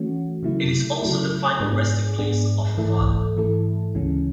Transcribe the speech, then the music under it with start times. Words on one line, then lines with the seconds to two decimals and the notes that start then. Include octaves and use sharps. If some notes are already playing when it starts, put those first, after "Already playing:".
It is also the final resting place of her father.
Already playing: E3 A3 C#4 F#4
0.43 C#3 F#3 A3 E4
1.02 C#3 F#3 A3 E4
1.60 G#2 G#3 B3 D4 G#4
2.18 G#2 G#3 B3 D4 G#4
2.77 G#2 E3 A3 E4 A4
3.37 G#2 E3 A3 E4 A4
3.95 D2 C#3 E3 G#3 C#4